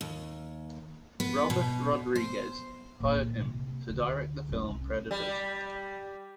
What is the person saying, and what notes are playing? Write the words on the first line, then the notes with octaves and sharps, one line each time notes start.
Robert Rodriguez hired him to direct the film "Predators".
D#2
B3
B2
C5
A#2 D#3
C3
D2
C2 C#4
G3